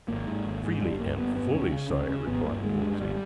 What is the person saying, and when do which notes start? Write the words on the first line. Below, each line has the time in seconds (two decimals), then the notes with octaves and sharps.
"Freely and fully, sire," replied Wolsey.
0.08 G#1 A#3
0.27 G#2
0.45 G#1
0.63 G#2
0.81 G1 G3
1.00 G2 A#3
1.18 G1 B3
1.36 G2 B3
1.54 C#2 C#4
1.72 C#3
1.91 C#2
2.08 C#3
2.27 G#1 B3
2.45 G2 A#3
2.63 G#1 G#3
2.81 G2
3.00 G#1 G3